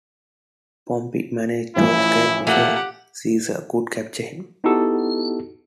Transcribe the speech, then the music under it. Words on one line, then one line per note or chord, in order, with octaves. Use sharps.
Pompey managed to escape before Caesar could capture him.
A1 E3 F3 E4
A#2 A3 A#3 G4 F#5
B3 D#4 E4 F#4 G4 A4